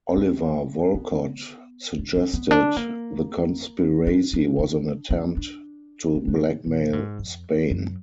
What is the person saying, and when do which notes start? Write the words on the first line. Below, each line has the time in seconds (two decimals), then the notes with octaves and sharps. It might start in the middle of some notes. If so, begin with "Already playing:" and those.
Oliver Wolcott suggested the conspiracy was an attempt to blackmail Spain.
0.17 G#3
0.94 B3
1.99 D4
2.16 D4
2.34 B3
2.51 D4
2.77 A#3
4.07 D4
4.33 D4
4.59 D4
5.11 B3
5.37 D4
6.15 D4
6.28 D4
6.41 F#3
6.53 A#2
6.67 A#2
6.93 G#2
7.19 F2
7.71 F#2